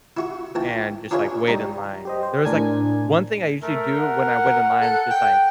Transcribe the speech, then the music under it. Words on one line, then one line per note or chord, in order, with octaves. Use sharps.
and just, like, wait in line, and there was, like o one thing I usually do when I wait in line is just, like
E4 F#4 C#6
A#1 E3 G5 A5
D4 E4 F4 G#4 B4 C#5
G3 D#4
G4 C5 D#5
C5
A2 D4 A#4 G#5 G#6
A3 A#4
F#5
A4
G5